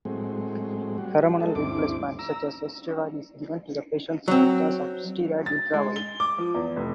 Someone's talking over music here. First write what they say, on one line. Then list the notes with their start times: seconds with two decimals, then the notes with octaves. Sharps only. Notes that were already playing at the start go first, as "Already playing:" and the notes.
Hormonal replacement such as steroid is given to patients because of steroid withdrawal.
0.05 A2 F#3 G#3 C4
0.98 G3 F#4
1.40 G#3 D#4 A4
1.55 D2 G2 C4 E4 D6
2.19 A#5 E6
4.28 F#3 C4
5.46 A6
5.74 G#3
5.96 G7
6.20 D6
6.38 F3
6.54 E2
6.76 F1